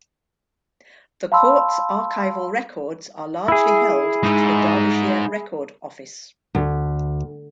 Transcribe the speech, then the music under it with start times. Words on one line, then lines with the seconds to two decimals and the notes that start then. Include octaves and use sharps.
The Courts' archival records are largely held at the Derbyshire Record Office.
1.32 F5 A5 B5 C6 E6
3.48 E4 G#4
4.23 G#3 D#4
6.55 D2